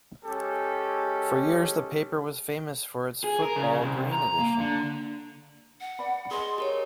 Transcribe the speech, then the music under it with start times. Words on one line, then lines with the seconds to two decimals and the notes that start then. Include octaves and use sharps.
For years the paper was famous for its "Football Green" edition.
0.24 G#3 C#4 G4 A4
3.24 G#4
3.43 A#4
3.56 C#3
3.80 C2
4.12 A#5
4.39 A#3
4.60 D3
5.80 F#5
5.99 D5 B5
6.31 G#4 D#5 C6
6.58 G4 A#4 C#5